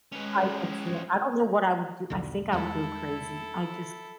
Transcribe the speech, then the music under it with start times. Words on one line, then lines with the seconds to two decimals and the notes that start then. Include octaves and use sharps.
I I can't. I don't know what I would do. I think I would go crazy. I just
0.12 G#3 C#4 B4
2.10 B1 E2 D3
2.52 E2 G3 G#3 E4 A4